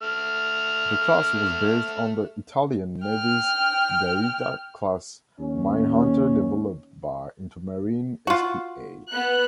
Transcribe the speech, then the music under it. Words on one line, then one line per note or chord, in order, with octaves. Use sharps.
The class was based on the Italian Navy's "Gaeta"-class minehunter developed by Intermarine SpA.
A3 F6
G5 F6
D#2 C#4
F4 F#4
B3 F#6